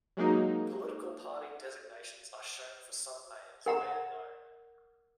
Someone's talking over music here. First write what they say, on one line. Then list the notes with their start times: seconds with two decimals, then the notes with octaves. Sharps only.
Political party designations are shown for some mayors, where known.
0.17 F#3 G#3 A#3 D#4
3.66 A#4 F#5 A#5